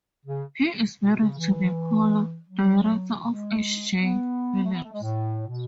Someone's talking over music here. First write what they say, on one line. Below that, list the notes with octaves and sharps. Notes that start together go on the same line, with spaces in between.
He is married to Nicola, Director of H J Phillips.
C#3
B2
C#3
E3
F#3
G#3
B3
A3
B3
A3
G#3
A2
B2